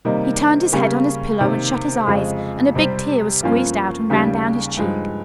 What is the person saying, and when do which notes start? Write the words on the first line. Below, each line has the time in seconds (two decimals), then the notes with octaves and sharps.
He turned his head on his pillow and shut his eyes and a big tear was squeezed out and ran down his cheek.
0.05 C3 D#3 G3 A#3 D#4
0.72 C#3 G3 A#3 C#4 G4
1.40 C3 D#3 A#3
2.07 F2 C#3 G#3
2.75 C3 G3 C4
3.43 G2 F3 A#3 C#4 F4
4.10 D#2 C#3 G3 C#4 G4
4.77 G2 F3 G#3 D#4